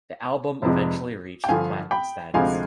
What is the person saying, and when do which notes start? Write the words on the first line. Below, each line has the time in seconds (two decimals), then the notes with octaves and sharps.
The album eventually reached platinum status.
0.62 F1 F2 C3 F3 G#3
1.44 G5
1.48 G2 D3 F3 F5 G#5
1.91 G5 B5
2.34 D2 C3 F3 G#3 F5 G#5